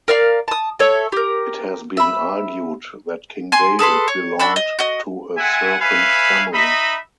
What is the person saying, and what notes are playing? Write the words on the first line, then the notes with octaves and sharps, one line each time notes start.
It has been argued that King David belonged to a serpent family.
A#4 D5 F5
A5 D#6
A4 C#5 E5
G4 A#4
E5 B5
G#5 C6
G#4 A4 B4 C6
C#5
D4 F#4 B5 E6
D#5
F#4 D#5
C4 E4 E5 F#5 G#5
B4 C#5 E5 F5 G#5 B5
D#4 D#5 E5 B5